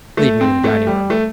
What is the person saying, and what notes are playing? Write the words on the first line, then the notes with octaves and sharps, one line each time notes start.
"Lead me to the dining-room."
A3
C4
A3
G3
A3